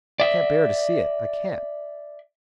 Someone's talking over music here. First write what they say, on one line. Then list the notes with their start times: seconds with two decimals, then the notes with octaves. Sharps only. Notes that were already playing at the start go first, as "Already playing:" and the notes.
I can't bear to see it!--I can't!
0.20 D5 E5